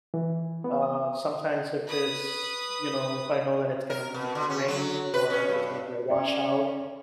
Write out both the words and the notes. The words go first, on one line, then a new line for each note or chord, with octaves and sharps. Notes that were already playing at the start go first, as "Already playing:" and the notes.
Uh, sometimes if it's, you know, if I know that it's gonna be raining or if it's gonna be a washout,
E3
B3
D#6
B4 D#6
A#4
B2
D3
C#4
F#3
B4
C#4
G2
C#4 D5